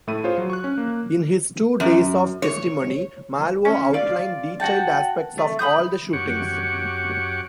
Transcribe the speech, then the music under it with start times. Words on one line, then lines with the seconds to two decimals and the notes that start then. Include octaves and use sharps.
In his two days of testimony, Malvo outlined detailed aspects of all the shootings.
0.07 A2 A3 E4 D#7
0.24 F4 G#4 C5 C#5
0.38 F#3
0.50 C#6 F#6
0.64 C#4
0.78 A#3
1.80 F#2
2.42 C#5
3.65 C#4
3.93 F4 D5 F5
4.60 F#4 F#5 G5 A5
5.38 A3
5.59 B5 C6 D#6 G6
6.13 F#2 G4 C#5 F#5 C#6 D6